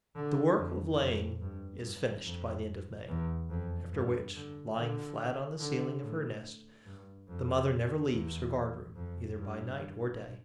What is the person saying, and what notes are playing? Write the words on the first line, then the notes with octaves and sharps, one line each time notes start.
The work of laying is finished by the end of May, after which, lying flat on the ceiling of her nest, the mother never leaves her guard-room, either by night or day.
D3
F2
F2
G2
G2
F2
E2
F2
G2
D3
D3
D3
A2
G2
F2
E2
F2
G2